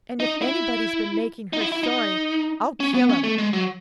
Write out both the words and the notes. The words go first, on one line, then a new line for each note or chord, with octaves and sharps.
And if anybody's been making her sorry, I'll kill him.
D#4
E4
D#4
E4
E4
D#4
C#4
B3
C#4
A3
G#3
F#3